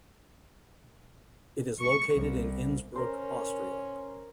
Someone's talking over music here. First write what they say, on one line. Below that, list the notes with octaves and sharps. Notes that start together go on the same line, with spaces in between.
It is located in Innsbruck, Austria.
C#6
C2
C#4 A#4 C5